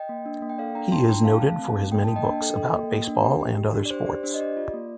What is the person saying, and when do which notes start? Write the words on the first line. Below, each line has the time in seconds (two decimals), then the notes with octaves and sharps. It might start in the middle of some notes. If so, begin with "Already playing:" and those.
He is noted for his many books about baseball and other sports.
Already playing: D#5 G5
0.09 A#3
0.26 D4
0.42 A#3
0.49 G5
0.58 A4 D5 F5
0.75 D4 G5 A#5
0.92 F4 A5 C6
1.09 D4 G5 A#5
1.25 A3 F5 A5
1.42 A3
1.59 C4
1.75 A3
1.91 A#3 G5
2.04 A#3 A5
2.16 D#5 G5
2.24 D4
2.41 A4
2.57 A4
2.75 A#3
2.91 A#3
3.08 D4
3.24 G4
3.41 G4
3.57 G4
3.74 D4
3.85 D5
3.90 G4 C5
4.07 G4 D5
4.23 D4 C5
4.34 D#5
4.40 G4 D5
4.57 F4
4.74 A#3